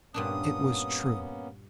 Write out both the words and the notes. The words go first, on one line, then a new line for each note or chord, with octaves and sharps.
It was true.
G2 A#2 A#3 B3 C#4 D4 D#6